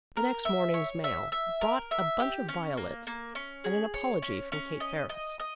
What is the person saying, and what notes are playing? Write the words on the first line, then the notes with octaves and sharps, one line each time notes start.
The next morning's mail brought a bunch of violets and an apology from Kate Ferris.
A#4
E5
C#5
E5
E5
A#4
E5
G4
C#4
A#3
A#3
C#4
G#4
C#5
C#4
C#4
D#5
D#5
D#5